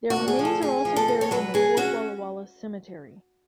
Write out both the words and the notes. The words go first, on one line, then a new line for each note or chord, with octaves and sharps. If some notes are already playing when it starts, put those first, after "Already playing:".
Their remains are also buried in the Fort Walla Walla Cemetery.
F#4
D2
G#4
F3
A4
D2 G#4
F3
A4
D2
C#5
F#3 B4
F#3 G#4
C#4 F#4